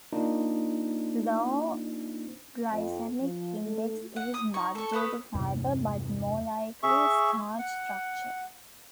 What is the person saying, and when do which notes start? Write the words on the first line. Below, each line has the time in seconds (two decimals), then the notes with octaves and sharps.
Low glycemic index is not due to fiber but more likely starch structure.
0.13 A#3 D4 D#4 F4
2.72 F2
3.21 F3
3.64 A3
4.16 F#5
4.34 D#6
4.54 D#4 C#6
4.75 A4 C#6
4.93 A3 B4 D#6
5.35 E2 G2 C3
6.83 G#4 E5 C#6
7.59 F#5